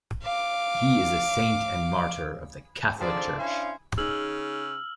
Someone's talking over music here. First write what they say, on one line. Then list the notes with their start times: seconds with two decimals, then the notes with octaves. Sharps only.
He is a saint and martyr of the Catholic Church.
0.23 F5 D6
2.99 G#2 D3 F3 C4 D5 A5
3.38 C#4 D4 E4 C5 F5
3.98 C#3 D#4 G#4 E6 F6 F#7